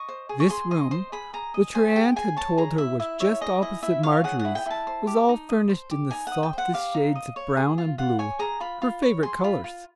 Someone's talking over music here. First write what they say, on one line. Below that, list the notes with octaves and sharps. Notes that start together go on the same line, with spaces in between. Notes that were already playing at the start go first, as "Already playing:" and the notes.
This room--which her aunt had told her was just opposite Marjorie's--was all furnished in the softest shades of brown and blue, her favourite colours.
Already playing: D#5 C#6
C5
G#4
C#6
G#4 C6
D#5 C6
C5 C6
G#4 B5
G#4 A#5
D#5
C5 G#5
G#4 G5
G#4 G#5
C#5 A5
G#4 A#5
E4 E5
E4 E5
C#5 E5
G#4 D#5
E4 D#5
E4 E5
C#5 F5
G#4 F#5
F#5
E4
G5
E4 A5
C5
G4
D#4
D#5
C5
G4
D#4 G#5
D#5 F#5
G5
C5
F#5
G4 F5
D#4
D#5
C#5
G#4
F4
F4 F#5
C#5 G#5
G#4 A#5
F4 B5
F4
C#5
G#4 C6
F4 B5
F4